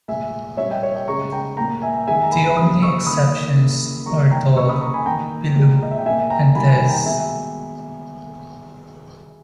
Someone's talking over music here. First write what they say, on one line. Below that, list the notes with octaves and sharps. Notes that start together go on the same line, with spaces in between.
The only exceptions are "Dhol", "Billu" and "Tezz".
A#2 G#3 E5 G#5
A#2 G3 A#3 C#5 E5
D#5 G5
C#5 E5
D#5 G5
C#3 G#3 A#5 C#6
G5 A#5
A#2 A#3 G5 A#5
E5 G#5
D#3 G#3 E5 G#5
A#5
G#5 B5
C#3 G3 A#3 B5 D#6
C#6 E6
D#3 A#3 B5 D#6
C#3 E3 A#3
D#3 G3 A#3 A#5 C#6
G5 A#5
C#3 E3 A#3 C#6 E6
B5 D#6
A#5 C#6
G#5 B5
D#3 A#3 G5 A#5
A#2 G#3
D#5
E5
G5
A#2 A#3 E5 G#5
G5 A#5
D#3 G3 A#3 G#5 B5
G#5 B5
G5 A#5
B2 G#3 E5 G#5